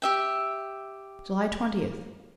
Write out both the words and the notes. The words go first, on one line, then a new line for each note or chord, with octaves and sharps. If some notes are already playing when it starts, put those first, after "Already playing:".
July Twentieth.
G4 E5 G5